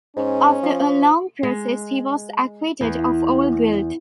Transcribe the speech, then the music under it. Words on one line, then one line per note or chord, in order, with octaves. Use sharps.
After a long process he was acquitted of all guilt.
G#2 C#4
F3
G#3
E2